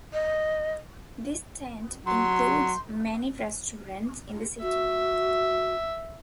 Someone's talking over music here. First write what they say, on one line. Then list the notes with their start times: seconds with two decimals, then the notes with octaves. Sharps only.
This tent includes many restaurants in the city.
0.13 D#5
2.06 F#3 C6
4.62 F#4 E5